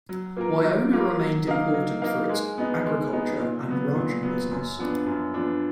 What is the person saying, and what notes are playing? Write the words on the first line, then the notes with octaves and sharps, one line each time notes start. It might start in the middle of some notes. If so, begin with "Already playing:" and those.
Wynona remained important for its agriculture and ranching business.
F#3
A#3 F4 A#4
F#3
A#3 F4 A#4
F#3
A#3 D#4 A#4 F5
F#3
A#3 D#4 A#4 F5
G#3
B3 D#4
G#3
B3 D#4
A#2
F#3 B3
A#2
F#3 B3
F#2
F3 B3 D4
F#2
F3 B3 D4